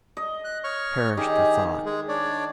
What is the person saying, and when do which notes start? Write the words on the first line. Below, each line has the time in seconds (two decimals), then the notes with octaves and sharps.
Perish the thought!
0.17 D#5
0.44 F#6
0.64 C#5 C#6 F6
1.17 D#3 G4 G#4 G#5
1.86 G#3 G#4
2.09 D4 C#5 D5